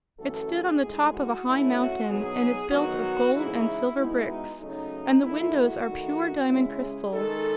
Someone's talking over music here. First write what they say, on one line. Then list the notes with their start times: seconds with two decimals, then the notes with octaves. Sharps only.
It stood on the top of a high mountain and is built of gold and silver bricks, and the windows are pure diamond crystals.
0.19 F#2 E3 A3 C#4 A4
0.51 G#4
0.82 A2 G#3 D#4
1.14 F#4
1.46 B2 A3 C#4 E4
1.77 F#4
2.09 B2 F#3 B3 D#4 G#4
2.72 D#3 F#3 B3 D#4 F#4
3.35 C#3 E3 G#3 D#4 E4
3.98 B2 G#3 B3 D#4 E4
4.30 D#4
4.61 C#3 F#3 A3 C#4 D#4
5.23 E2 D#3 A3 E4
5.56 F#4
5.87 D#3 A3 D#4
6.49 C#3 G#3 C#4 E4
6.81 G#4
7.13 D#3 G#3 D#4 A4